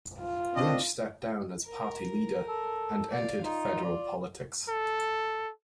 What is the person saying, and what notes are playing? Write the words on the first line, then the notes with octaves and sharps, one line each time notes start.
Winch stepped down as party leader, and entered federal politics.
F4
C4 D4 D#5
A#4
A4
D5 F5
D#4 F4
D5
A4